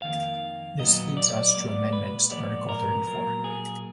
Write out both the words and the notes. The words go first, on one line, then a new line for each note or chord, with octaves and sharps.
This leads us to amendments to article thirty-four.
F2 D#3 A#3 F5
A#2 F#3 B3 D#5
D5
A#2 G#3 B3 D5
B4
A#2 F3 G#3 B3 D5
A#4
A#2 F#3 A#3 A#4
G#4